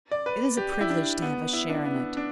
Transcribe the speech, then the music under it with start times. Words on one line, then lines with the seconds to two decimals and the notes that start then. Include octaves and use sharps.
It is a privilege to have a share in it.
0.11 D5
0.26 B4
0.57 G4
0.72 G4
0.81 E4
0.90 D4
1.22 B3
1.53 E4
1.69 D4
1.86 B3
2.17 D4